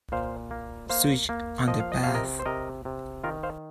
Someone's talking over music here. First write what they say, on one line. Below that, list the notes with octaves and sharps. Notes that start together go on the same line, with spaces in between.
Switch on the bath.
A#2 C5 F5
A#3
A#3 C5 F5
A#3
F3 D#5
F5
D#5
C3 F5
A#4 D#5
C5
C3 A#4 D#5
C3
D#3 F4 A#4
C5 F5